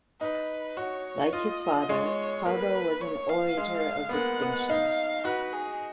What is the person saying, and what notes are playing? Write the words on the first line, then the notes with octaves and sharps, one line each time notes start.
Like his father, Carbo was an orator of distinction.
D#4 B4
F#4 C#5
F4 D#5
G#3 C#5
A#3 B4
C#5
F5
G#3
B3
A#3 F#5
B3
D#4 F5
F#4 B4
G#4